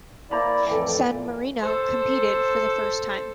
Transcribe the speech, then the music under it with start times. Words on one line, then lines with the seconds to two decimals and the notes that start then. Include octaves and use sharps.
San Marino competed for the first time.
0.31 A#3 E4 C5 D5 A#5 B5
0.67 F2 A2 E3 A4 G5
1.08 A#2
1.58 A4 C5